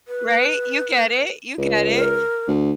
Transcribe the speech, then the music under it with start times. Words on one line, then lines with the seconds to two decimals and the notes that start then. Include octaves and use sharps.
Right? You get it, you get it.
0.08 B4
1.58 C#2
1.95 A#4
2.48 D2